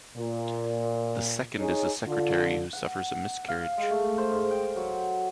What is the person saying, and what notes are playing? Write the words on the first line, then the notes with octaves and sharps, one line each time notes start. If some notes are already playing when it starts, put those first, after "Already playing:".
The second is a secretary who suffers a miscarriage.
A#2
D#4 G#4 C#5
D3 F4
F#5
F5
G#3
A3
C5
G#2
G5
F#3